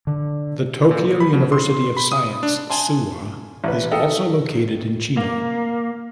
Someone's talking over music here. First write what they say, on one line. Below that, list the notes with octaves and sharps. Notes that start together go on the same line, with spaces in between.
The Tokyo University of Science, Suwa is also located in Chino.
D3
A#2
B5
B2
C6
B5
D#6
D4
G#5 A5 C6
A1 B4
D#4 A4 E5 F5 G5
A#3